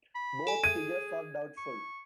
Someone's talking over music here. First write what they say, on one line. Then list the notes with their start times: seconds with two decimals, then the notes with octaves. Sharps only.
Both figures are doubtful.
0.15 B5
0.47 A4 G#5
0.64 G#4 G#6 D#7
1.57 C#6